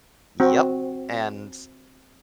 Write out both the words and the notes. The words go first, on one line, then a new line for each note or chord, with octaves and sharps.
Yep, and
C4 F#4